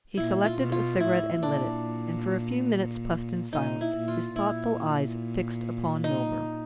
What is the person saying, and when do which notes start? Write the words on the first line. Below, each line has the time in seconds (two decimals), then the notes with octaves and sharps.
He selected a cigarette and lit it, and for a few minutes puffed in silence, his thoughtful eyes fixed upon Milburgh.
0.16 A#2 E4
0.45 F4
0.58 B2
0.72 F4
1.00 A2 E4
1.43 A#2 D4
3.52 A#2 D#4
3.81 E4
3.94 A#2
4.08 F4
4.36 A#2 E4
6.04 D#4